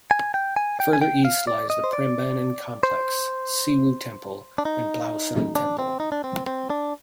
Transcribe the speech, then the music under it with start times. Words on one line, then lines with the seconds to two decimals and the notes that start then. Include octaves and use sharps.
Further east lies the Prambanan complex, Sewu temple, and Plaosan temple.
0.11 G#5
0.34 G5
0.56 G#5
0.80 G5
0.93 G#5
1.01 G5
1.25 F5
1.47 D5
1.70 D#5
1.84 C5
1.93 D5
2.83 C5
4.58 D4
4.65 D#4
5.55 D4
5.79 C4
6.00 D#4
6.12 D4
6.24 C4
6.47 C4
6.70 D4